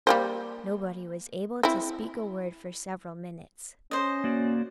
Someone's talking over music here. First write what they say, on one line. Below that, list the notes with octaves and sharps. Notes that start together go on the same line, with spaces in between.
Nobody was able to speak a word for several minutes.
G3 A#3 C5
C4 E4
C#4 C5 D#5
A#3 F#4 D5